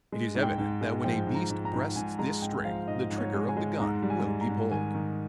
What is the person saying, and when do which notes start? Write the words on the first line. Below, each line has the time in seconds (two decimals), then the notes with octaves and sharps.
It is evident that when a beast breasts this string, the trigger of the gun will be pulled.
0.12 G#3
0.35 G#2
0.43 G5
0.58 G#2
0.81 G#3
1.04 F3 G5
1.27 G#2
1.35 A#5
1.50 G#2
1.65 A#5
1.73 G#2
1.96 G#2 G#5
2.19 G#3 A#5
2.42 G#2 G5
2.65 F3 F5
2.87 G#2 D#5
3.11 G#2
3.18 C#5
3.34 G#3
3.49 G#5
3.57 G#3
3.80 G#2 A#5
4.02 G3
4.10 G#5
4.25 G#2
4.41 A#5
4.49 G#2
4.71 D#3 G#5
4.94 D#3